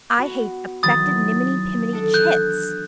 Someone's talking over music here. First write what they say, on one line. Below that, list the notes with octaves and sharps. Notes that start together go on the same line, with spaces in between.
"I hate affected, niminy-piminy chits!"
B3 F#4
D#3 E3 F#3 D#6 A6
D4 A4
F#6 G6